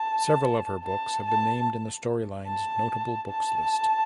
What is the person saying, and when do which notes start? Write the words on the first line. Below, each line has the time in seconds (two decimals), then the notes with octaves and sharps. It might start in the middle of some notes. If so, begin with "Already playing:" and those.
Several of her books have been named in the Storylines Notable Books List.
Already playing: A5
0.85 A5
1.26 A5
2.47 A5
3.30 A5